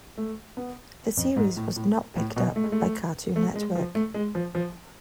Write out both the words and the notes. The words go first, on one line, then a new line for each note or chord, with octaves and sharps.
The series was not picked up by Cartoon Network.
A3
B3
F2
G#2
A2
A2
A2
B2
A3
G#3
A3
A3
G#3
F3
A3
G#3
F3
F3